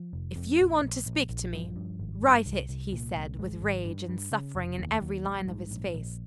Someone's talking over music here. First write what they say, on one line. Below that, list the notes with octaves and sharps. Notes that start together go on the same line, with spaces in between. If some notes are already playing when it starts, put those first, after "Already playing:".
"If you want to speak to me, write it!" he said, with rage and suffering in every line of his face.
Already playing: F3
F1
F2
A#1
A#1
A#1
A#1
G2 F3
G2
G#1
G2
C2
C2
A#2
C2
G#1 G#3
G#1
G2
G2
C#3
F1
D#2
D#2
A#1 G3
G#2
A#1
A#1